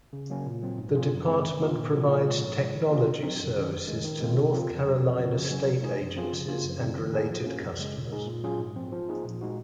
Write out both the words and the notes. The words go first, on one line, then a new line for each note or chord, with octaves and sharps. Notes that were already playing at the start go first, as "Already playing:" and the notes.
The department provides technology services to North Carolina state agencies and related customers.
C#3
F#3 A#3 C#4
A#2
F#3 C4
G#2
F3 C4 F4 G#4
F#2
C#3 G#3 C4
D#3
A#3 F4
A#2
F3 A#3 C#4 F#4
A#2
F3 G#3
G#2
F3 G#3
D#3
A#3 F4 G#4
C3
F#3 C4 D#4
F#2
D#3 F#3 C#4
F2
D#3 G#3
D#3
G#3 C4 F4
C3
F3 C4 F4
F2
C#3 F#3 C#4
F2
C#3 F3
C#3
F#3 C#4
F3
G#3 D#4 G#4
F#2
F3 C4 F4 G#4
C#3
F3 A#3 F4 G#4
F#2
C#3 F3 C4
D#3
A#3 D#4 G#4
F3
A#3 C#4 F#4
F#2
C#3 G#3
A#2
G#3 D#4 G#4
A#2
F#3 C#4 F4 G#4
G#2
F3 C4
F3
A#3 D#4 G#4
A#2
G#3 D#4 F#4